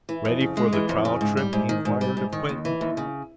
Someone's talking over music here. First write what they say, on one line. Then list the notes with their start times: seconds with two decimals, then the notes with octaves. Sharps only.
"Ready for the trial trip?" he enquired of Quinton.
0.09 E3
0.25 F2
0.41 C#3
0.57 G#3
0.73 E3
0.89 F2
1.05 C#3
1.21 G#2
1.37 G3
1.53 G#2
1.69 D#3
1.85 G#2
2.01 G3
2.17 G#2
2.33 D#3
2.49 D#2
2.65 E3
2.81 D#2
2.97 C#3